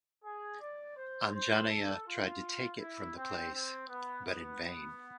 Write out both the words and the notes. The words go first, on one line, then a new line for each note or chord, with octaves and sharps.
Anjaneya tried to take it from the place but in vain.
G#4
D5
C5
C5
A4
F4
E4
C4
C4
B3
B3
B3